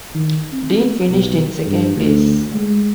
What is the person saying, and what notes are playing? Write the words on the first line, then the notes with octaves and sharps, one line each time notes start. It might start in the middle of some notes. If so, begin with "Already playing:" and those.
Dean finished in second place.
D#3
C4
B1
G2
D2
G#3